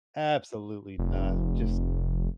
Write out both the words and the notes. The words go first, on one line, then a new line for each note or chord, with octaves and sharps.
Absolutely not, just
F1